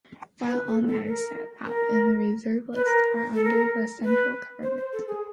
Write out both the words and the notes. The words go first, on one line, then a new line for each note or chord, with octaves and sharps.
While all matters set out in the Reserved List are under the central government.
B4
A4
A4
A#4
A#4
B4
A#4
A4
A#4
B4
C5
C5
A4
G#4